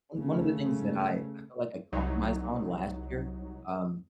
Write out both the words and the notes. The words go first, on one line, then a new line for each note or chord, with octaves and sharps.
one one of the things that I I felt like I compromised on last year- um,
C#3 A3
C2 F#3 D#4